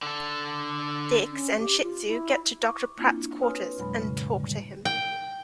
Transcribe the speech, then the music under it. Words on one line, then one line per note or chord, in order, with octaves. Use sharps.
Dix and Shitzu get to Doctor Pratt's quarters, and talk to him.
D3 A4
C#4
G4
F4
E4
C#6 D6
A#3 C4 D4 E4 F4
B4 C#5 G#5 C6 D#6 F6
F2 B2 F#3 G#3 B5
A2 C#3
D3 G3
G5